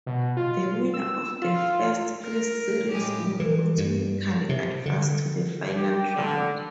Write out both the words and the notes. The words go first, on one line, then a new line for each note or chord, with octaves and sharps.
The winner of the first place series would automatically advance to the final round.
B2
F4
E6
F4
A#4
A2 G#3 G4
E3
G2
C3
D3
G4
D3